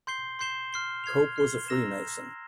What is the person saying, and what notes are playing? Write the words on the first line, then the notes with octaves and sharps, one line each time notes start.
Cope was a Freemason.
C6 G6 C7 G7
C6 G6 C7 E7 G7
C6 F6 C7 G7
F6 G#6 C7 F7
F6 C7 G7
A#5 E6 A#6 E7